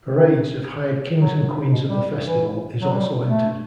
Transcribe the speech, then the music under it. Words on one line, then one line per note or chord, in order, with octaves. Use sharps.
Parades of hired Kings and Queens of the festival is also entered.
D#3
F#3
B2
G3
E3
F#3
G3
A3